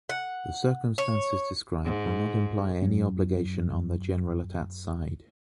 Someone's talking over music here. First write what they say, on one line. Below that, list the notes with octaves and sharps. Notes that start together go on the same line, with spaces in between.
The circumstances described will not imply any obligation on the Generalitat's side.
F#5
C#5
G#2
F#2 F#3 C#4